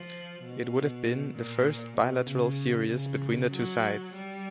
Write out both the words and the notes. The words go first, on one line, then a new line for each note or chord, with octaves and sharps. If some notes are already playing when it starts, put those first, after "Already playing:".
It would have been the first bilateral series between the two sides.
Already playing: F3
B2
A#2
B2
C#3
C#3
F#3
G3